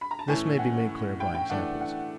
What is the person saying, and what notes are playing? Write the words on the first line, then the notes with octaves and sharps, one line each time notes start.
This may be made clear by examples.
B5
A#5
A5
A2 E3 A3 C#4 E4 G#5
F#5
G5
G5
E3 A3 D4 F#5
F#5